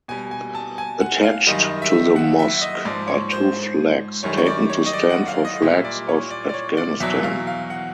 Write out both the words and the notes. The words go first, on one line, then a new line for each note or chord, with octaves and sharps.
Attached to the mosque are two flags, taken to stand for flags of Afghanistan.
B2 G3 G#5
G#5
A5
G#5
F#5
F5
F#2 D#3 G3 D#5
E5
F#5
E5
D#5
G#2 F3 D5
C#5
C5
F#2 D#3 G3 C#5
C#5
D5
C#5
D#5
D5
F#5
F5
D#5
A#2 G3 E5
D5
C#5
D5
D5
C#5
D5
E2 B2 F#3 E5
F5
F5
F#5